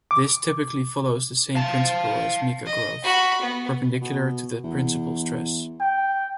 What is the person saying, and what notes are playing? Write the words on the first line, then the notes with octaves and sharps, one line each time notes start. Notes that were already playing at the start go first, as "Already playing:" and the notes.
This typically follows the same principle as mica growth, perpendicular to the principal stress.
D6
F5 A5
D#5
F#4 B5
B3
B2
E2
G5